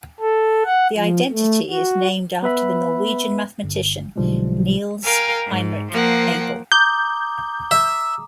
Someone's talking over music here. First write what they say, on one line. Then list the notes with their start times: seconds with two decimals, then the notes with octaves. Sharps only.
The identity is named after the Norwegian mathematician Niels Henrik Abel.
0.20 A4
0.65 F#5
0.96 F3
1.32 A3
1.70 F#4
2.43 B3 B4 E5 B5
3.64 G1
4.16 B1 D3 F3 G3 G#3
5.04 A#4 F5 G5 G#5
5.47 G#2
5.92 F3 A#3 F#5 G5
6.72 A#5 D6 D#6 G6
7.71 E5